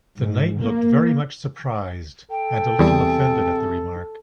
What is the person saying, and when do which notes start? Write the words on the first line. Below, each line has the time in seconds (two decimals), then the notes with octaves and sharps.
The Knight looked very much surprised, and a little offended at the remark.
0.18 G#2
0.60 A#3
2.31 A4 G5
2.79 E2 C3 G3 G#4